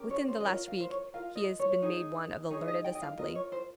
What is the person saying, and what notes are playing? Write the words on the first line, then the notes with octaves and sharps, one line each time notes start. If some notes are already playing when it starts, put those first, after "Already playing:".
"Within the last week he has been made one of the learned assembly."
Already playing: C#4 G4 A#4
C#5
C5
D#5
F4 A#4 C#5
F5
C5
C#5
F4 A#4 F5
D#5
C#5
D#4 G#4
D#4 G#4 C#5
D#5
G5
D#5
F5
F4 A#4 D#5
C#5
C5